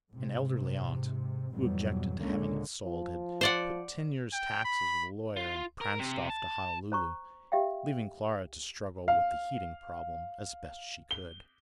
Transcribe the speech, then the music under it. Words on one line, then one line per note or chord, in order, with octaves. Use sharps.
An elderly aunt, who objected to having it sold, had put ten years' taxes with a lawyer and pranced off to Honolulu, leaving Clara to struggle with the heating-problem as best she could.
G#2 C3
F2 G#2 B2 E3 F#3 G3
C#2 A2 D3 G#3 A#3 C#4
F3
C5 D5 F#5
G5
B5
F4
A#4
C3
A5
C5 A#5 C#6
G4 E5 F5 G5
F5
G7